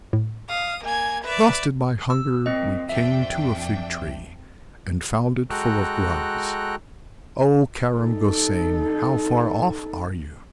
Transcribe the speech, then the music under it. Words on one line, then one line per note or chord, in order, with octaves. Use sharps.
"Exhausted by hunger we came to a fig-tree, And found it full of grubs, O Karam Gosain, how far off are you?"
A2
F5 D#6
A#3 G#5 G#6
B4 D5 E5
E6
A#2 C4 D#5
F2 D4 E5 G5
G#3 F#4 A4 G5 A#5 F#6
D#4 A4